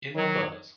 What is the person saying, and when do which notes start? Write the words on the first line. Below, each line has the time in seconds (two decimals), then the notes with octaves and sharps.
In the Buzz!
0.15 D#3 F#3